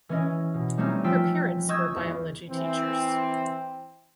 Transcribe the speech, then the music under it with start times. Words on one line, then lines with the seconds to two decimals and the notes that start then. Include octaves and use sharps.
Her parents were biology teachers.
0.09 E3 C#4 D#5
0.54 B2
0.78 G3 A3 C4 C#4 D#4
1.04 F3 F4 G5 E6 B6
1.69 D#5 C#6 D#6 E6 G6 G#6
1.96 E2
2.49 E3 C4